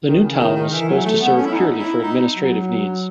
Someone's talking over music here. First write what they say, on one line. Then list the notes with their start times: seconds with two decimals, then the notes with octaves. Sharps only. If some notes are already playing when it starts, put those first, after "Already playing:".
The new town was supposed to serve purely for administrative needs.
0.07 D#3
0.24 C#3
0.40 D#3
0.56 D#3
0.73 E3
0.88 F#3
1.05 A3
1.21 B3
1.38 C#4
1.45 E4
1.54 D#4
1.78 E4
2.03 D#4
2.36 F#3